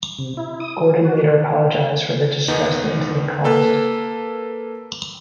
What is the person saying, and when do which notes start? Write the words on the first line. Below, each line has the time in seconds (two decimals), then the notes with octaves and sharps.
Gordon later apologised for the distress the incident caused.
0.19 C3
0.37 E4
0.60 D#6
0.77 F#3
1.05 F#4
2.48 E2 D#3 B3 D#4
3.44 A#3 A4 B4